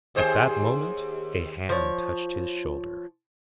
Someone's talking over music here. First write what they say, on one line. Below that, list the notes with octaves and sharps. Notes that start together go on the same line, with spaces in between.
At that moment a hand touched his shoulder.
D#2 G#4 C5
F3 C#5